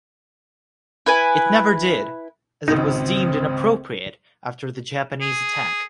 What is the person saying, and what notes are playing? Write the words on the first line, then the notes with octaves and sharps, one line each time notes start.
It never did, as it was deemed inappropriate after the Japanese attack.
E4 B4 G#5
G#1 C#2 C#3 C4 D#4
G#4